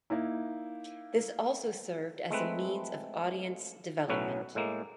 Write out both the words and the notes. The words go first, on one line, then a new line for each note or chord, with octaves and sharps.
This also served as a means of audience development.
A#3 D#4 E4
G#3 A3 C4 B4
B1 A2 F#3 C#4 F#4 B4
A2 G#3 A#3